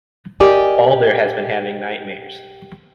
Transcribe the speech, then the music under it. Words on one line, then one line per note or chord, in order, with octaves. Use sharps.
Baldr has been having nightmares.
G4 A#4 D5 D#5 G#5